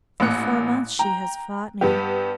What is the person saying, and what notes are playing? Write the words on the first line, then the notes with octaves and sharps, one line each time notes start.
For four months she has fought me.
A1 A#2 F#6 C#7
G5 A#5
G2 B3 G4